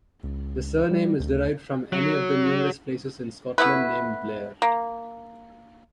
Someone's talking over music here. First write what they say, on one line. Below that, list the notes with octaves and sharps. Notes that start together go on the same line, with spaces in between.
The surname is derived from any of the numerous places in Scotland named "Blair".
C#2
G3
D2
F#3
A3 B3 E4 B4
A#3